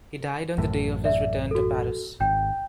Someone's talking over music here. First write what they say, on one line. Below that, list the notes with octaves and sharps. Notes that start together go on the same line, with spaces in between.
He died on the day of his return to Paris.
A1 F#2 A2
D5 E5
F#4 A4
G#1 G5 G6